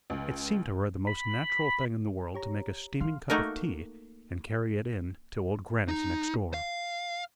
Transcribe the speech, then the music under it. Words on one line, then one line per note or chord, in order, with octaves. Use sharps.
It seemed to her the most natural thing in the world to make a steaming cup of tea and carry it in to Old Grannis next door.
C#2
B5
G4 C#5 A#5
E3 F5 C6 F6
A3 A#3 D#4 F#4 A4 A#4
D#4
F5